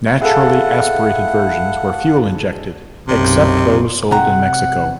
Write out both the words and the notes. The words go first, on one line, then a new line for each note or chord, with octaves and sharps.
Naturally aspirated versions were fuel injected, except those sold in Mexico.
E4 G#4 A4 F5 F#5
B1 F#2 C3
C3 F#5 A#5